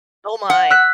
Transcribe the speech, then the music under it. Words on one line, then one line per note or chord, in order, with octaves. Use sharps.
Oh my.
F#5
E6 F#6 B6